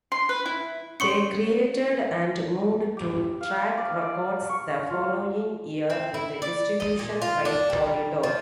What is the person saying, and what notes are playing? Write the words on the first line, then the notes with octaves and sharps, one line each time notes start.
They created and moved to Track Records the following year with distribution by Polydor.
C6
B4
E4
C#4 C#5 C6 C#6 C#7
G4
F5
D5
D5
C#6
F4
C4
E4
D5
D#5
A#2
F4
D4
G3
F3